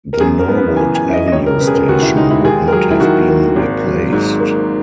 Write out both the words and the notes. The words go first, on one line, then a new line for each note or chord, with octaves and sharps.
The Norwood Avenue station would not have been replaced.
A#4
F#2 G#4
A#4
B3
B4
E3 G#5
G#5
F#2 E5
D#5
D#5
E1 C#5
A#4
C#3 B4
G#4
A#4
D#2 F#4
E4
G#3 D#4
E4
D#2 G#4
A#4
F#3 G#4
E4
D#3 F#4
A#3
G#1
F#3
G#2
A#3